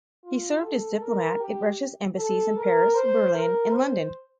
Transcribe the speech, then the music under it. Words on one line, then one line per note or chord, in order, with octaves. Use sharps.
He served as diplomat at Russia's embassies in Paris, Berlin, and London.
F4
A4
A#4
G4
A4
A#4
C5
A#4
C5